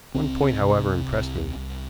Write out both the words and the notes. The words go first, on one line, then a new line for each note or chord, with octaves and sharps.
One point, however, impressed me.
C2 C4
C3
C2
C2